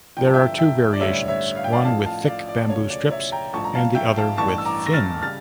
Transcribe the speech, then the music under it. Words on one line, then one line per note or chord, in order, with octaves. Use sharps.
There are two variations, one with thick bamboo strips and the other with thin.
G1 G2 F3 G5
A5
E5 G5
E5 G5
D5
A1 G2 D3 G3 C#5 E5
C#5 E5
F5
G5
D5 F5
A1 A2 F3 F5 A5
F5 A5
D5 F5
D5
E1 D2 C#3 F3 C#5
D5
C#5 E5
G5 A#5
A1 G2 F3 A5 C#6
A#5
F5 A5
E5 G5
F5 A5
A1 G2 E3 A5 C#6
E6
A#5 D6
A#6
F6 A6
C#3 G3 F6 A6